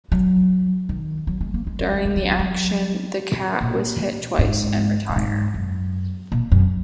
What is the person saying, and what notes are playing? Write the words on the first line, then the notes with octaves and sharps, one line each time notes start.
During the action, the 'Cat' was hit twice and retired.
F#3
D#3
F#3
G#3
A#3
G#3
G#3
G#3
G#3
F#3
D#3
F#3
A#2
G#2
A#2
G#2
F#2
A#2
F#2